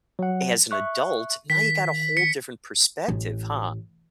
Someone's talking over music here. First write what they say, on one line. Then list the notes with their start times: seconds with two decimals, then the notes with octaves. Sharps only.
as an adult, now you got a whole different perspective, huh?
0.19 F#3 F#5
0.71 E5 C#6 F#6
1.50 D#3 B6
2.17 B6 C#7
3.08 A1